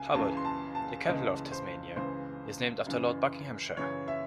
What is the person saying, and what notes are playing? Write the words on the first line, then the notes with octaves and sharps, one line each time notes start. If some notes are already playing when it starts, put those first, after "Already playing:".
Hobart, the capital of Tasmania, is named after Lord Buckinghamshire.
Already playing: C#2 C#3 G#5
C#2 C#3 E3 A5
C6
A5
A5
C#2 C#3 E3 D#5
C5
C#2 C#3 E3 C5
F#2 C#3 E3
F#2 C#3 E3 C#5
E5